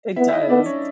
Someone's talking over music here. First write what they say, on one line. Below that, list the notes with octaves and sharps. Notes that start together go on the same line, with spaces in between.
It does.
B3 E4 E5
E5
D#4 D#5
B3 D4 D5
C#4 C#5